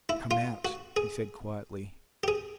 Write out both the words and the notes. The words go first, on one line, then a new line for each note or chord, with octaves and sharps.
"Come out," he said quietly.
E4
F4
F#4
G#4
G4
G#4